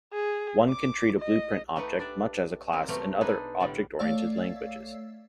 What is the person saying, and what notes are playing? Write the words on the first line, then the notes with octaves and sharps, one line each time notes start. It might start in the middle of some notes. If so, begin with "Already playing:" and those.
One can treat a blueprint object much as a class in other object-oriented languages.
G#4
D6
D#5
A3 D#4 G4 B4 F#5
D4 D5 E5
A#3 C4 G4
B2 F#3 A3 C4 G4 A#4
D4 D#4 G#4 A4 B4
A2 D3 G3 D5
A3 C#5 D5 F5 E6